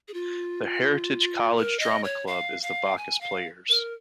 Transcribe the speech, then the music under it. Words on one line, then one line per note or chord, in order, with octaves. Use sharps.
The Heritage College Drama Club is the Bacchus Players.
G#4
F4
A#4
D#5
C#5
F5
F5
G#5
F5
A#4